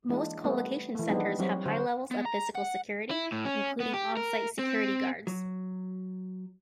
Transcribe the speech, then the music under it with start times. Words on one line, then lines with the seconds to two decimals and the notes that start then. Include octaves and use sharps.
Most colocation centres have high levels of physical security, including on-site security guards.
0.09 E3 G#3 A#3 D4
0.44 G3 A3 B3
0.95 E3 A3
1.08 F3 G3 G#3 B3 D4 D#4
1.39 F#3 G3 C4 F#4
1.65 D3 F#4 C5
2.11 B3
2.26 A#5
2.55 F#5
3.11 E4
3.32 A2
3.45 C#4
3.80 B3
3.94 G4
4.17 A#4
4.59 C4
5.27 F#3